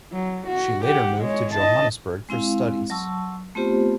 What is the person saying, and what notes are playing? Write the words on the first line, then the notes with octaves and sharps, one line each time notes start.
She later moved to Johannesburg for studies.
F#3
F#4
G4 F#5
G#3 C#5
D#5 A5
G#3 C4 E4 F5
F#3 A5 C#6 E6
A3 B3 C4 F4 G4 C5